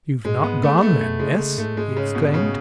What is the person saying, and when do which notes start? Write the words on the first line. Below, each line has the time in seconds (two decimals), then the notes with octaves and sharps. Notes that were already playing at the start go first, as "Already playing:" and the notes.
"You've not gone, then, miss?" he exclaimed.
0.25 G#2 G#3
0.43 B3
0.63 A3
0.82 A3
0.92 C#3
1.00 B2 A3
1.19 C#3 G#3
1.39 C#3
1.58 G#2 A3
1.67 A2
1.75 G#2 G#3
1.97 C#3
2.15 B2
2.34 C#3